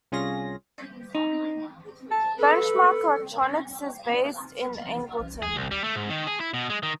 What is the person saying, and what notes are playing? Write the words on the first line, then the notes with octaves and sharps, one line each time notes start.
Benchmark Electronics is based in Angleton.
C2 C#4 F4 G#4 A#6
D#4
A5
A4 B4
G#4
C2
G3
A3
G#2
D#3
G#4
E4
B2
G#3
D#3